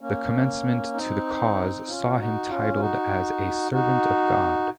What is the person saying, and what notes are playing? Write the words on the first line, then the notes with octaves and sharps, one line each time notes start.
The commencement to the cause saw him titled as a Servant of God.
A#3 C#4
C4 D#4
C#4 F4
D#4 F#4
C#4 F4
F4
D#4 F#4
D#4 F#4